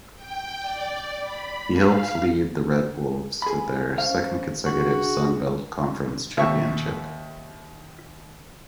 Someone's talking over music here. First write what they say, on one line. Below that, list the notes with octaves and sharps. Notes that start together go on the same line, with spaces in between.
He helped lead the Red Wolves to their second consecutive Sun Belt Conference championship.
G5
D5
B5
F5
G#4 B5
C#4 C5 F5
D4 F#4 G#4
D#2 E5 C#6